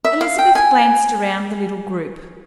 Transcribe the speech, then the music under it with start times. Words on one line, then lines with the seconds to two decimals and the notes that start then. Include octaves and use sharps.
Elizabeth glanced around the little group.
0.05 E5
0.21 F5
0.39 G5
0.55 G#5